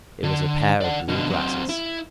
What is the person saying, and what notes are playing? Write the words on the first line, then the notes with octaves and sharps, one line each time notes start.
It was a pair of blue glasses!
D3
D5 F#5
B2 D3
F#3 C4
E4